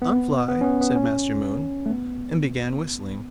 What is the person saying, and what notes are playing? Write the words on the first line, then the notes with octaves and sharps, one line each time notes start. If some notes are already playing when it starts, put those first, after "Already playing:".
"I'm fly," said Master Moon, and began whistling.
B3
B3
C#4
B3
B3
C#4
A3
B3